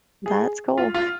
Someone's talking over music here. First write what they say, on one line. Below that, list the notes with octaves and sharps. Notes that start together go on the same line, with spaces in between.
That's cool.
G#4
F4
F4